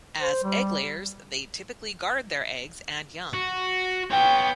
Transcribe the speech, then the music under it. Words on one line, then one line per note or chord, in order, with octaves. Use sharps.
As egg-layers, they typically guard their eggs and young.
C5
G3
F#4
B3 C#5 G5